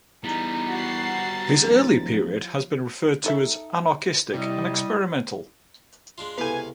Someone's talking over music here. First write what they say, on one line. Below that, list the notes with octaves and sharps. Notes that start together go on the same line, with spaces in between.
His early period has been referred to as ", anarchistic and experimental".
E2 G3 B3 D#4
F#4 A#5 A6 C7
D1 F3
D#4 A4 E5
C3 G3 E4 D#5
G#3 D4 F4
C#2 C3 B3 E4 A4 B4 F5 G#5